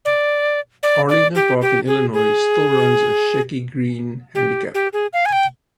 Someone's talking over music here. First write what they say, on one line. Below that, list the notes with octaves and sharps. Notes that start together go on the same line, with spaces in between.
Arlington Park in Illinois still runs a Shecky Greene Handicap.
D5
D5
D5
G4
G4
G#4
G#4
G4
G4
G#4
F5
G#5
G5